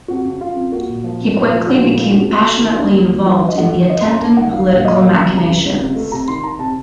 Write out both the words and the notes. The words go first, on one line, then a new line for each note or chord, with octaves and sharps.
He quickly became passionately involved in the attendant political machinations.
F2 F#4
C#3
C#3 F4
F2
A#3 F#4
A#2
F3
C2
A#2
F3
F3 F#4
A#2
A3 F4
F#4
C4 A4
A3 F#4
A3
D#3
D#2
D#2
D#3
D#3 F#4
F4
F#3
D#5
A3 F#5
D#3
C#5
F#2 D#5
C#4 C6
A#5
A#3 A5
D#3 F#5
F#3 F5
F5
A#2
F5
F#3 D#5
F5
A#3
F#3 A#5
C#2 A#5
C#2 A#5
C#2
C3
A3
C3 A#5
D#3 C6
D#3 A#5
C3 A5